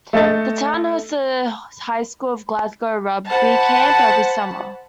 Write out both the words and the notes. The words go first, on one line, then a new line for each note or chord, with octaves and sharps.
The town hosts the High School of Glasgow rugby camp every summer.
A3 A4 D#5 A6
C5 F#5 A5 B5